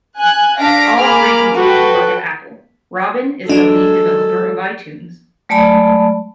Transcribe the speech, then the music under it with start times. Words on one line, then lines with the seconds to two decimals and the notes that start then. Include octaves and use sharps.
All three continue to work at Apple; Robbin is the lead developer of iTunes.
0.17 G#5 F#6
0.59 D4 F5 A#6 B6 D7
0.97 A#3 G#4 B5 D6 F6
1.53 F#4 A4 B4 G5
3.49 F#3 G#3 D4 A4
5.49 F#3 G#3 A3 D5 A5 B5